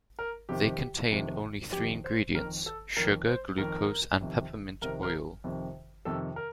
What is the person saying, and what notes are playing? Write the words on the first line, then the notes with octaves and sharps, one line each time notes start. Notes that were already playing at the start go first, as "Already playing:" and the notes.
They contain only three ingredients: sugar, glucose, and peppermint oil.
A#4
F2 C3 D#3 G4
F2 C3 D#3
F2 D#3 G4
C5
F2 D#3 A#4
A4
F2 D#3 A#4
C5
F2 D#3 A#4
F2 C3 D#3
F2 C3 D#3 A#4
A#4
F2 C3 D#3
F2 C3 D#3 A4
A#4